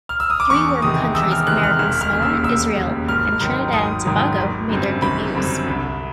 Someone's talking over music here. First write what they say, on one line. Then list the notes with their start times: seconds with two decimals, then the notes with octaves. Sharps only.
Three "warm countries", American Samoa, Israel and Trinidad and Tobago, made their debuts.
0.09 F6
0.20 E6
0.30 D#6
0.40 D6
0.50 E2 C#6
0.82 C3 D#3 G#3 D#6
1.14 E2 E6
1.31 F6
1.47 C3 D#3 G#3 F#6
1.64 F6
1.79 E1 F6
2.01 F6
2.12 D#2 C#3
2.22 E6
2.44 E1 E6
2.76 D#2 C#3
3.09 G#1 F6
3.41 G#2 D#3 F#3
3.73 G#1 D#6
4.05 G#2 D#3 F#3
4.38 G#1
4.69 F#2 D3 G3 C4
5.02 G#1 B5
5.35 F#2 D3 G3 C4
5.67 C2